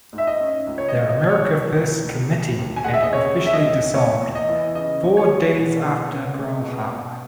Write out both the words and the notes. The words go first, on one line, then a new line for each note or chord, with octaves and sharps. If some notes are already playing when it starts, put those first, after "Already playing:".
The America First Committee had officially dissolved four days after Pearl Harbor.
G#2
E5
D#5
C#4
C#2
C#5
D#5
C#2
D#5
F#3
C#5
B2
C#2
C#2
D#2
D#2
G#5
G#3 F#5
E5
D#5
C#3 C#5
D#2
E5
D#5
D#2
E2 C#5
E2
D#5
E3
C#3 D#5
E2
C#5
E2
B2
B2
C#4
G#3
B2
B2